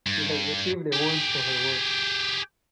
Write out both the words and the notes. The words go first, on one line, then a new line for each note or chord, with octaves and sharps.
She has received awards for her work.
G2
G4 G#4